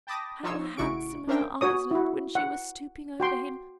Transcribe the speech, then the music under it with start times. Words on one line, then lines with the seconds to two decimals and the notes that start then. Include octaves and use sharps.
How handsome her eyes looked when she was stooping over him!
0.07 G5 A5 B5 D6 D#6 A#6
0.43 F3 D#4 F4 C#5 E6
0.77 A1 C#3 E4 F#4 C#6 D7
1.27 C#4 D4 A#4 C5 E5 G5
1.61 F#4 C#5 D#6
1.91 E4 F#4
2.35 F#5
3.20 F#4 G5 C6